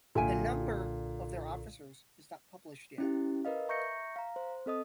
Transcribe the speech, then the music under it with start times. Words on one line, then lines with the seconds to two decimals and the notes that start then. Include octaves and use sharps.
The number of their officers is not published yet.
0.15 B1 A#2 D3 A4 E5 G5 G#5
2.98 C#4 E4 G4
3.45 A#4 B4 D#5 F5
3.68 E5 A#5 C#6 G6 A#6 C#7
4.16 F5 A#5
4.36 C5
4.66 C4 A4 D#5 D#6